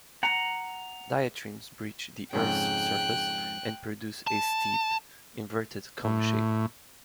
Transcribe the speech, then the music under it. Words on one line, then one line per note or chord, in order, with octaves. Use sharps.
Diatremes breach the Earth's surface and produce a steep inverted cone shape.
F#5 A#5
F2 G#2 C#3 G5 F#6
A5
A2